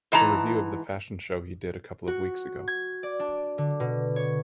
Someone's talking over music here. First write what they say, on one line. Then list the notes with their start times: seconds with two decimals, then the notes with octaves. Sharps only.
A review of the fashion show he did a couple of weeks ago.
0.12 G#2 E3 A5 A#5
2.08 F#4
2.68 G#6
3.03 D5
3.19 D4
3.58 D3
3.80 B2
4.16 C#5